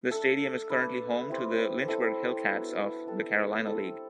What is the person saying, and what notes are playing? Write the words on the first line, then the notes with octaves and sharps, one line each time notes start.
The stadium is currently home to the Lynchburg Hillcats of the Carolina League.
A3 D4 A4
A3 D4 B4
G3 C4 E4
G3 C4 E4 A4
F#3 B3 D4
G3 D4 A4
G3 C4 E4 A4